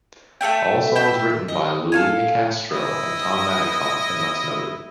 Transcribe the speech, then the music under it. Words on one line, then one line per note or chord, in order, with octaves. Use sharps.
All songs written by Louie Nicastro and Tom Maddicott unless noted.
A3 A4 E5 G5
E5 G5
D#5
A4 F5 G#5
E4 D#5